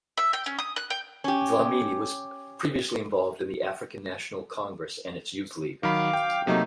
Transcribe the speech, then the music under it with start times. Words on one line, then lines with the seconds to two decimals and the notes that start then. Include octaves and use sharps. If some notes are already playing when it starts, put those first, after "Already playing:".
Dlamini was previously involved in the African National Congress and its youth league.
0.17 E5
0.33 G5
0.46 C#4
0.59 D#6
0.76 F#6
0.90 G5
1.24 C#4 G4
5.83 D#3 F#3 F5 B5 D6
6.13 G5
6.47 C3 F#3 A3 A#3 D#4